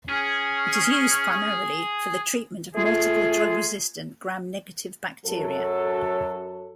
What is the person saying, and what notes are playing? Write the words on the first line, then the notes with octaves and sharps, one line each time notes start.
It is used primarily for the treatment of multiple drug-resistant, Gram-negative bacteria.
C#4 G#4
A3 F4 G#4
F#2 F#3 A4